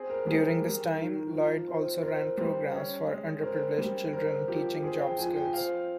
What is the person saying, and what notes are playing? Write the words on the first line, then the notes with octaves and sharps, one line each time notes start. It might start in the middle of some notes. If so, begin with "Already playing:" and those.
During this time, Lloyd also ran programs for underprivileged children teaching job skills.
Already playing: C4 G#4
A#4
G3 G#4
A#4
G3
D#3
F3
C4
C4 A#4
G3 C5
C#4
G#3
C4 A#4
G3
C4 A#4
F3 G4
C4 G#4
G5
F3 G#5
G5
C4 F5